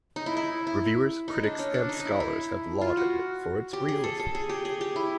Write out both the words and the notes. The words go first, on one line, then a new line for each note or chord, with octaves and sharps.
Reviewers, critics and scholars have lauded it for its realism.
D#4
E4
E4
E4
D#4
D4
C#4
D4
D#4
D#4
E4
E4
F4
F#4
G4
G#4
A4
A4
G#4
G4
G#4
G4
E4